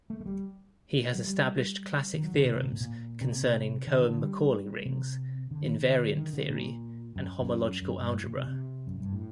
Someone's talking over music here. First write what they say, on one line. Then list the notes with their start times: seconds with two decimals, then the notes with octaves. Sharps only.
He has established classic theorems concerning Cohen-Macaulay rings, invariant theory and homological algebra.
0.10 A3
0.20 A3
0.26 G3
1.15 F#3
1.24 G3
2.13 D#3
2.23 F#3
2.34 D3
2.45 C3
2.56 C3
2.65 A#2
2.72 A2
2.80 A#2
3.21 C3
3.28 A#2
3.36 C3
3.87 D3
4.03 D3
4.21 G3
4.85 C3
5.51 D3
5.65 D#3
5.79 D3
6.12 F#3
6.17 D#3
6.33 D3
6.49 A#2
7.16 F#2
7.40 F#2
7.82 F#2
7.98 G2
8.15 A2
8.25 A#2
8.37 C3
8.47 C3
8.87 F#2
9.00 G2
9.13 A2